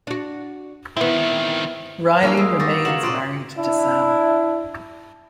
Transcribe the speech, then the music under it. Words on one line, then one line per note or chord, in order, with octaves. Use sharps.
Riley remains married to Sam.
D4 F#4
D#3 B3 C4 E4
A#3 C#4 D4 E4 G#4 D#5
G3 G#3 D#6 E6 C7
F#4 G4 B4 A6 A#6
C#3 F#4 A#4 C#5 F5 E7 F#7
A#2 C4 D5 D#5 C6 D6 D7
D4 E4